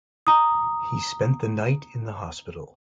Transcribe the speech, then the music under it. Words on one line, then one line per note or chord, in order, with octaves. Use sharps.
He spent the night in the hospital.
A#5 D#6